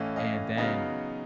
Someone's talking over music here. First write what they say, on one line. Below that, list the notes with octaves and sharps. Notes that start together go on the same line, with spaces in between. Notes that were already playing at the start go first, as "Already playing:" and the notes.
And then
Already playing: A2 E3 A3 C#4 D#5 F5
D#5 F5
C#3 F#3 B3 D#4 D#5 F5